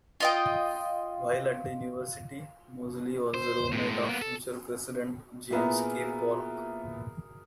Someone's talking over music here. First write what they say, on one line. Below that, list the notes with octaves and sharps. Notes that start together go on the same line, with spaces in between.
While at the university, Moseley was the roommate of future president James K. Polk.
F4 D#5 G5
C5
A2 G#3
A#3 B3
A4
A#2 B3 E4 G#4 A#4 E5